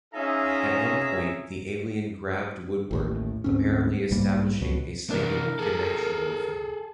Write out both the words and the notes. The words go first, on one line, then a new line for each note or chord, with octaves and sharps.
At one point, the alien grabbed Woodward, apparently establishing a psychic connection with him.
C#4 D#4 F4 G#4 E5 A#5
A1 D#2 A2
D2 G#2 C4 C#4
B1 G#2 G3 A#3
C#2 B2 F#3
E3 D4 A#4
G#4 A4